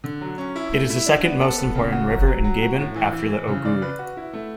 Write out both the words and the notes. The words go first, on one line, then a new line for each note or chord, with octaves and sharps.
It is the second most important river in Gabon after the Ogooue.
D3
F#3
C#4
E4
A3
E4
D4
B3
A4
B3
C#3
F#4
F#3
F#3
F#3
F#4
A2
E3
E3
E3
C#3
D5
B4
F#4
E4
A3